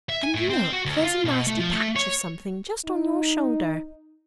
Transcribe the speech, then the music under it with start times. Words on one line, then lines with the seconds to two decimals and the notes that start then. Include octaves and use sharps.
"And look, there's a nasty patch of something just on your shoulder."
0.09 E5
0.23 G#5
0.35 A2
0.50 C4
0.72 F#4
0.85 D2
1.02 F4
1.25 B2
1.47 A3
1.60 F3
1.73 A3
1.96 C#5
2.85 D#4